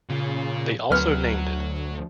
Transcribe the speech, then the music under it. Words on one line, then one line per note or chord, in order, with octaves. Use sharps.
They also named it.
A#2 C#3 F4
D2 F#3 B4 F6